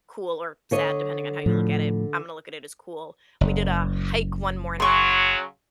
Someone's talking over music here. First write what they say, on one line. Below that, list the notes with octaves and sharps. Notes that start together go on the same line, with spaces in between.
cool or sad depending on how you look at it, I'm gonna look at it as cool- we did a hike one morning,
D3 C#5 D#5
A2 F3
F#1
C#3 F#3 C6 C#6